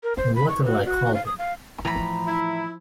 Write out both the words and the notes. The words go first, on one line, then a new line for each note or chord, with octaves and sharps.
What'll I call them?
A#4
C5
B5
C#6
F#4
F#4
F5
D#6
F5
A2 E3 F3 A#5 B5
E4